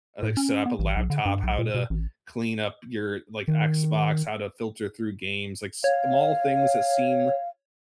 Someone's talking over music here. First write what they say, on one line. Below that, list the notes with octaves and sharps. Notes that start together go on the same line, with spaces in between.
like, s set up a laptop, how to clean up your, like, Xbox, how to filter through games, like, small things that seem
A2
C#4
B3
A1
B1
D3
G2
B1
A#2
B2
A1
D#3
C#5 F5